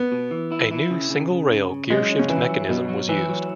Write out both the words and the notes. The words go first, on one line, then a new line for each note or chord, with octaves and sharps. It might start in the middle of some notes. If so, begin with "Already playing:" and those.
A new single-rail gearshift mechanism was used.
Already playing: B3
B2
E3
E4
E4
C#3
C#3
C#3
C#3
C#3
F#3 G#3
C#4
C#3
E3 E4
F#3
B2 F#3
F#3
E3 E4
F#3